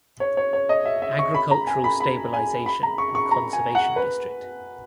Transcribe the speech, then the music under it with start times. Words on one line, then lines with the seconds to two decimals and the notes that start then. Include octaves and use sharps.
Agricultural Stabilization and Conservation District.
0.20 C#5
0.37 C#5
0.53 C#5
0.69 D#5
0.85 E5
1.02 E5
1.19 C#6
1.34 B5
1.51 A#5
1.67 G#5
1.84 B5
2.00 B5
2.34 G#5
2.66 B5
2.83 A#5
2.98 C#6
3.15 C#6
3.31 A#5
3.53 G#5
3.75 F#5
3.96 B4